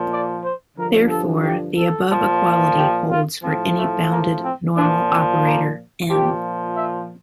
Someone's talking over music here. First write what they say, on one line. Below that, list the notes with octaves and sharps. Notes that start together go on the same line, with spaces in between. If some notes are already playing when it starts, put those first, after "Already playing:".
Therefore the above equality holds for any bounded normal operator "N".
Already playing: A#2 F3
D5
C5
G2 D3 F3 A#4
A4
G4
A4
A#2 F3
G4
F4
A2 F3 C4
A3
A#3
C4
A#2 F3 D4
C4
A#3
A#2 F3 G4
E5